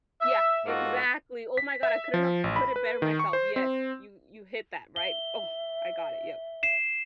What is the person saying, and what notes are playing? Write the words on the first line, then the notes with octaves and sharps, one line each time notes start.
Yeah, exactly. Oh my god, I couldn't have put it better myself, yes, you you hit that right Oh, I got it, yep.
E5
G#2 A#3 D#4 F4 F#4 A4
B6
E5
F3
A1
B5
B4
D#3
C#6
C5
C4
E5 G7
C7 E7